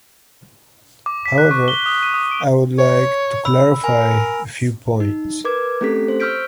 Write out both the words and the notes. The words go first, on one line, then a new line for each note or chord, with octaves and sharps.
However, I would like to clarify a few points.
D6
B6
F#6
C#6
G7
D#6
D#7
D#6
D7
C#5
B5 E6
A#4 G#5
D#4
A#4 B4 D6 G#6
A3 C4 C#4 G4 A4 B6
C5
C#6 E6 F6 G6 B6 D7